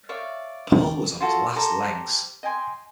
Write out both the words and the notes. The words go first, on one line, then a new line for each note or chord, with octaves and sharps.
Paul was on his last legs.
C#5 D5 E5 F5
F4 F#4 A4
G4 A4 C5 A#5
D#5 G5 G#5 C6